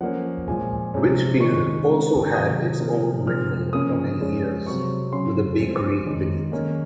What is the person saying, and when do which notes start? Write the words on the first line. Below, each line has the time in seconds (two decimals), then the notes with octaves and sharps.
Whitfield also had its own windmill for many years, with a bakery beneath.
0.01 F3 A#3 C#4 F#5
0.48 A#2 F3 G#3 G#5
0.94 C3 F3 G#3 C#4
1.40 D#3 G#3 C4 C#6
1.87 C#3 G#3 C4
2.34 C3 D#3 F#3 D#6
2.80 C3 F3 A#3
3.26 C3 F3 G#3 C4 F6
3.73 C#3 F3 A#3 C#4 D#6
4.20 F3 G#3 C#4
4.66 C3 F#3 C4 C#6
5.12 C#3 F#3 C#4 C6
5.59 F3 G#3 C4
6.06 D#3 G#3 C#4
6.52 D#3 A#3 C#4